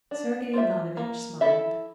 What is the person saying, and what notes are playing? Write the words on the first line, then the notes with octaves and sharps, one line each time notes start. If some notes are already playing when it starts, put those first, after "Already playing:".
Sergey Ivanovitch smiled.
D4
F4 C5 E5
A#3
E4 A4 E5